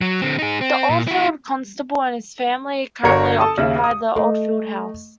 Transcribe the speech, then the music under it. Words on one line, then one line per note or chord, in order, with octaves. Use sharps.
The Old Field Constable and his family currently occupy the Old Field house.
F#3
D3 C4
D#4 G#4
C4
A#2
E4 F#4
G1 D3 F#4 A#4 C#5 C#7
A4 A5 D#6
D#2 C#3 E5
D#6
A3 D#5